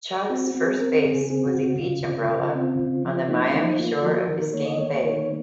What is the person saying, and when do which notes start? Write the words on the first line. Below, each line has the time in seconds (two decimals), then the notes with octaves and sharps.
Chalk's first base was a beach umbrella on the Miami shore of Biscayne Bay.
0.22 G#4
0.30 C4 F#4
0.47 F#4
0.55 C4
0.63 G#4
0.80 C4 A#4
1.05 C#3 G#4
1.30 C4 G#4
1.46 F#4
1.55 C#3
1.62 F#4
1.79 C#3 F4
2.04 C#3
2.29 C#3
2.55 C4
2.79 C#3
3.04 F3
3.28 A#3 D#4
3.43 C#4
3.54 F3 D#4
3.79 A#3 F4
4.03 F3 F#4
4.28 D#3 A#4
4.40 A#4
4.53 A#3 C#5
4.65 D#5
4.78 A#3 C#5
5.03 D#3